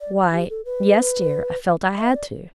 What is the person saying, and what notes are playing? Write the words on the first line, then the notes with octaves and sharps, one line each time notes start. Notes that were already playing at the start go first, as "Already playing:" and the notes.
'Why--yes, dear--I felt I had to.'
D5
G4
A4
B4
E5
D5